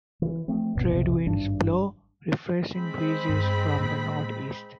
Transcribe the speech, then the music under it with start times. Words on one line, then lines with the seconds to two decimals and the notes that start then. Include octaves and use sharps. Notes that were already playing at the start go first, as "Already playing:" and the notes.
Trade winds blow refreshing breezes from the northeast.
0.22 E3
0.48 F3 A3 C4
0.75 G1 D#2 B2 B3
0.90 B1 F2 C3
1.26 G#1 G2 D4
2.75 G#3 C4 B5
3.29 G2
3.78 A2 A#3